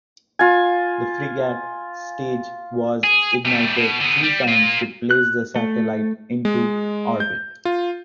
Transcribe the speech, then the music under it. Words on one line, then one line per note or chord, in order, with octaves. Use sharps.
The Fregat stage was ignited three times to place the satellite into orbit.
F4 G#5
G#4
G3 A3
B2
D3 B3
G3
A#3 F4
F#6
A3
G#3
G6
F4